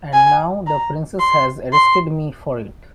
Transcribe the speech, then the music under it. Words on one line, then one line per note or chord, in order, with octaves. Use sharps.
And now the princess has arrested me for it.
G#5
A#5
C6
C6